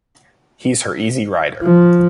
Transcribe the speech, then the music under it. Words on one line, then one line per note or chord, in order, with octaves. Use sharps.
He's her easy rider.
F3